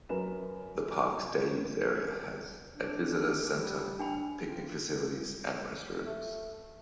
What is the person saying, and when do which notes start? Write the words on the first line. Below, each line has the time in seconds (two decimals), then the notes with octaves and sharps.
The park's day-use area has a visitor center, picnic facilities, and restrooms.
0.09 F#2 A#4 B4 E7
2.75 D4
3.52 G3
3.99 D4 G5 B5
4.43 F4
6.06 A3